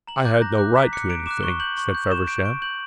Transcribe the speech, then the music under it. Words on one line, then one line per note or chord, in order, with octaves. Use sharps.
"I had no right to anything," said Feversham.
A#5 F#7
D6 F#6 G6
A#5 A#6
D6 F#6
A#5 B6
D6 F#6 C#7
A#5 D7
D6 F#6 E7
C#6 G7
G6 F#7
C#6
G6
C#6 E7
G6 D7
C#6 D7
G6 F#7